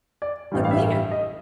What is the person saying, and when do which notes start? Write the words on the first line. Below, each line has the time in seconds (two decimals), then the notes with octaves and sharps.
"But where?"
0.22 D5
0.52 A1 G2 E3 G3
0.65 F5
0.71 E5
0.92 E5
1.11 D#5